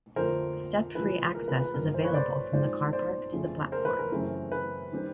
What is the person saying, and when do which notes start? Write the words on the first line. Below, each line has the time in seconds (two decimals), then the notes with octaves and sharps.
Step-free access is available from the car park to the platform.
0.16 F2 D3 F3 A3 A#4 C5
0.95 E2 C3 F3 G#3 B4
1.35 A#4
1.48 B4
1.61 B4
1.74 G2 D3 G3 C4 A#4
1.94 A#4 C5
2.04 B4 C#5
2.14 C5 D5
2.53 G#2 F3 G#3 C4 C5 D5
2.93 C5 D5
3.32 F2 C#3 F3 A3 C4
3.72 A#4 C5
3.85 B4
3.99 A#4
4.12 F#2 C#3 E3 A3 C4
4.52 B4
4.92 D#3 G3 C4